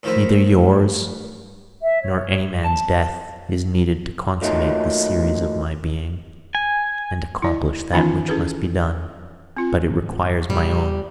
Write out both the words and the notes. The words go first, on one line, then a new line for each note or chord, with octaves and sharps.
Neither yours nor any man's death is needed to consummate the series of my being and accomplish that which must be done, but it requires my own.
A2 D#3 F3 E4
E5
C#5
A5
F#3 A3 A#3 D#4 F4
G#5
E4 D5 D#5
D#3 E3 B3 C#4 D#4 F4
C#4 E4 F#4 G#4 A4 B4
C4 F4
G#2 D#3 G3
A#2 C#3 G3